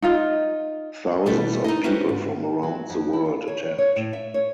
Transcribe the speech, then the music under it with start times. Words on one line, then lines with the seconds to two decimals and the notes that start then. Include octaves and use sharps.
Thousands of people from around the world attend.
0.02 D#4 F4 D#5
1.26 B2 G3 A3 E4 A4 B4
1.64 D#4 A4 D#5
1.84 C#4 E4 F#4 G4 B4 C5
2.09 G#2
2.63 F#3
2.90 F2
3.13 E4
3.26 F4
3.48 C#5
3.63 C#5
3.78 C#5
3.96 A2
4.13 E5
4.34 C#5